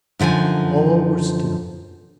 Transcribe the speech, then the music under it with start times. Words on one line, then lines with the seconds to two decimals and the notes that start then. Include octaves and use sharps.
All were still.
0.19 F#2 D3 F3 D#4 G#5